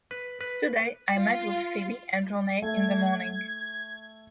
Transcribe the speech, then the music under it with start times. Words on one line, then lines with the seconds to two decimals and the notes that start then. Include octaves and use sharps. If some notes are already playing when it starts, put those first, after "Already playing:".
Today I meet with Febe and Roné in the morning.
0.11 B4
0.41 B4
1.14 F4
2.62 A3 G#6